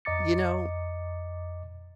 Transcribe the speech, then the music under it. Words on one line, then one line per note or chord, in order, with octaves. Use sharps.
You know
F2 D#5 A#5 D6 A6 C#7